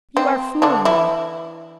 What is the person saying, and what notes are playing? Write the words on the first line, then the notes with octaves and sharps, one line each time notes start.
"You are fooling me."
C4
D3 D4
E3 E4